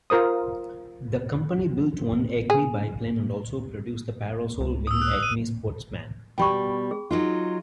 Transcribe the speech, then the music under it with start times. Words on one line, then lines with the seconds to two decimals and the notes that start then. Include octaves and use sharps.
The company built one Acme Biplane and also produced the parasol wing Acme Sportsman.
0.10 F4 A#4 C5 D#6
2.50 G#4
4.60 C#2
4.87 D#6 E6
5.02 F#6
5.23 D#7
6.38 B2 G3 G5 B5 C#6
6.91 G#4
7.11 F#3 D#4 F4